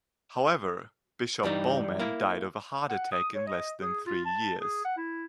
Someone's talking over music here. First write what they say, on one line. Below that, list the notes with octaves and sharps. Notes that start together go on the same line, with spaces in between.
However, Bishop Bowman died of a heart attack in less than three years.
G2 E3 G3 D#4
A#3 E4
F#5
D#6
C#5
D#5
G#4
F4
A5
G#4
F#5
E4